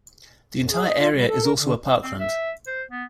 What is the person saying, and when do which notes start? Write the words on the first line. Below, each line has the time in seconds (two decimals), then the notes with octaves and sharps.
The entire area is also a parkland.
0.57 F#2
0.70 G#4
0.83 D#5
0.98 F4
1.14 G3
1.28 A4
1.42 A#4
1.57 D3
2.03 C4
2.20 E5
2.67 C5
2.91 B3